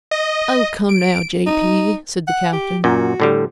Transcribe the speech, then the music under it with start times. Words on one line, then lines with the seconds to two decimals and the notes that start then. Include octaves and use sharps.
"Oh, come now, J. P.," said the captain.
0.11 D#5
0.89 D7
1.47 D#4
2.28 F#5
2.53 G4
2.84 F#2 A#2 F#4
3.20 A2 D3 G3